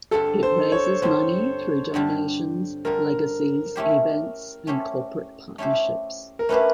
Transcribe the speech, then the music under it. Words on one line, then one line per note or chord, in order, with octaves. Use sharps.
It raises money through donations, legacies, events and corporate partnerships.
G2 D3 G3 C4 F4 A4
C5
C#5
G2 D3 G3 C4 F4 C5
G2 D3 G3 C4 F4
G2 D3 G3 C4 F4 A#4
A3 C#4 E4 G4 C5
A3 C#4 E4 G4 C5
A3 C#4 E4 G4 C5
A#4
A3 C#4 E4 G4 B4 C5